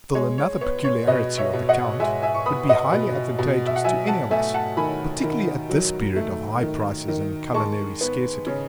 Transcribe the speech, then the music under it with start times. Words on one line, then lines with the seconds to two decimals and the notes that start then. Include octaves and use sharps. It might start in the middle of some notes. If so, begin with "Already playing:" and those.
Still another peculiarity of the Count would be highly advantageous to any of us, particularly at this period of high prices and culinary scarcity.
0.15 G#3 C#5
0.38 C#5
0.61 B3 C#5
0.84 C#5
1.07 B2 B4 D#5
1.38 C#5 E5
1.53 B2
1.69 D#5 F#5
2.00 G#3 E5 G#5
2.22 E5 G#5
2.35 C#6
2.46 B3 B5 D#6
2.69 D#5 F#5
2.92 B2
3.39 B2
3.66 E5
3.76 F#5
3.84 F#3 E5 G#5
4.08 F#5 A5
4.31 A3 E5 G#5
4.54 F#5 A5
4.77 D#3 G#5 B5
5.23 D#3
5.70 F#3
6.16 A3
6.62 D#3
7.08 D#3
7.54 G#3 A5 C#6
8.01 B3
8.47 C#3